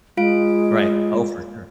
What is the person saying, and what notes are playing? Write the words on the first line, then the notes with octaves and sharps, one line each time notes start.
Right. Oh, for sure.
G#3 F4 F5 D7